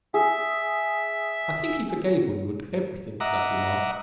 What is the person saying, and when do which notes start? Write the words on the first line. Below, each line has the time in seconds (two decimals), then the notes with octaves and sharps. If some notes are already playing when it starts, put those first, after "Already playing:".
I think he forgave Winwood everything for that remark.
0.14 G#4 E5
3.20 D#5 E5 F#5 A#5 D6